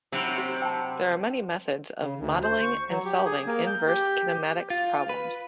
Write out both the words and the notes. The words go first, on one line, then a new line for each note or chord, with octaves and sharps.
There are many methods of modelling and solving inverse kinematics problems.
C3 F#3 C4 E4
G4 C6
G5 A5
C#3
D2
C5
C#6
F#3
G4
G#4
A#3
G6
G4
F4
B4